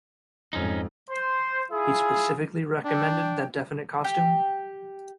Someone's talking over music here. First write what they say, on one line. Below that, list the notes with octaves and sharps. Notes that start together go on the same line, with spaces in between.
He specifically recommended that definite costume?
F2 G#2 C#4 D#4
C5 C6
E4 F4 G#4
D4 G5
G4